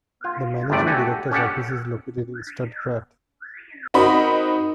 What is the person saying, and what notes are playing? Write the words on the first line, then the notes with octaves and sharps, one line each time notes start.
The managing director's office is located in Stuttgart.
F4
G1 E2 A2 C3 A3 D5
F#4 G4 A4 G#5
C#4 G4 A4 F#5
C4 D#4 F#4 A#4 D#5 B5